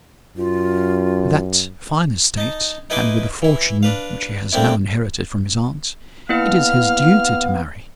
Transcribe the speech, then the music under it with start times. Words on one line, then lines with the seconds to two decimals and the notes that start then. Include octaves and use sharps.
With that fine estate--and with the fortune which he has now inherited from his aunt--it is his duty to marry.
0.37 F#2 F4
2.37 D#4 A5
2.90 D#4 E4 B4 G#5 C6 D6
3.42 E3 E4
3.83 D4 B4 F5
4.52 G3 A3 A#3 C4 D4 E4
6.29 A#3 B3 E4 B4 F5 F6